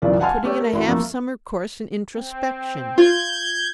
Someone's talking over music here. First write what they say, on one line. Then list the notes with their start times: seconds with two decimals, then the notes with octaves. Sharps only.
I'm putting in a half summer course in Introspection.
0.02 F#1 B1 E3 F4 D5
0.20 F5 F#5 G#5 A5 C6 F6
0.44 A3 G4 C#5
0.60 A#4
0.72 A1 E4 F#4 C6
0.88 F2 A3 A#3
2.16 C4
2.98 F4 G6 G#6